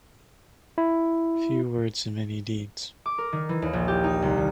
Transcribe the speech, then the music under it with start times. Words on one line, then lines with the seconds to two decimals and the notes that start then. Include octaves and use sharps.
Few words and many deeds.
0.78 E4
3.06 D6
3.18 A#4
3.33 D#3
3.49 E3
3.62 D#2
3.73 A#1
3.88 G4
4.04 D#4
4.22 C2
4.38 D#3